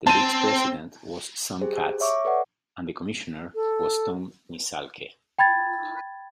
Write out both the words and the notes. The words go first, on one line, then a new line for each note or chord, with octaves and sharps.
The league's president was Sam Katz and the commissioner was Tom Nissalke.
C4 A5 D#7
G4 G#4 C5
C#5 E5 C#6 D6
A4 B4 D5 F#5
A4
G5 B5 G#6 A6